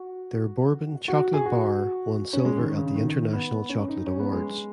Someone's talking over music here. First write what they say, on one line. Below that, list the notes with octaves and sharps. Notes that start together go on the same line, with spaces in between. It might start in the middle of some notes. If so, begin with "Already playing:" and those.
Their bourbon chocolate bar won silver at The International Chocolate Awards.
Already playing: F#4
F#4
G#4
F#4
C#4
G#3
D#3
C#3
D#3
B3
C#4
D#4
C#4
B3
G#3